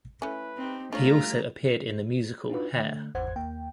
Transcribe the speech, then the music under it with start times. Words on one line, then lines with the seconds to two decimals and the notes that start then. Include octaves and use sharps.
He also appeared in the musical Hair.
0.22 A3 C#4 E4 B4
0.57 C4 D#4 G4
0.93 G3 A3 D4 F4 C5 C#5 A#5
2.50 D4 D#4 F4 F#4 B4
2.76 D3 A3
3.15 G#1 E2 C5 F#5 G#6
3.36 D#2 A#3 G5